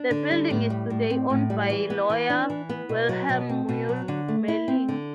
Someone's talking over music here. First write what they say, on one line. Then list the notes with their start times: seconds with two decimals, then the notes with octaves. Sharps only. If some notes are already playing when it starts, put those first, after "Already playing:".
The building is today owned by lawyer Wilhelm Mule Malling.
Already playing: D4
0.11 D3
0.31 G3
0.50 A2
0.70 G3
0.90 A2
1.10 C4
1.30 A2
1.50 G3
1.70 E3
1.90 B3
2.10 E3
2.30 D4
2.50 E3
2.69 B3
2.89 B2
3.09 F#3
3.29 B2
3.49 C4
3.69 B2
3.89 F#3
4.08 D3
4.28 A3
4.48 E4
4.68 C4
4.89 D3